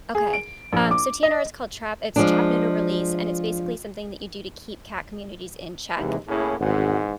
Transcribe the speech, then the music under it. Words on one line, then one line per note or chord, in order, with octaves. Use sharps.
Okay. Um, so, TNR is called trap it's trap, neuter, release, and it's basically something that you do to keep cat communities in check.
G#4
D7
A#1
D6
D#5
F3 G#3 D4
D#2 C3 E3 G#3
A2 A#3 C#4 E4 G#4
G#1 E2 G#2 F#4 F#5